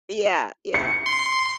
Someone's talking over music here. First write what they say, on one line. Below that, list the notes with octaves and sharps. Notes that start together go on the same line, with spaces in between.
Yeah, yeah.
C#7
C6